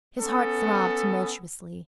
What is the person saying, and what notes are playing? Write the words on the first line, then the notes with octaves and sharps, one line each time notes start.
His heart throbbed tumultuously.
B3 C#4 A4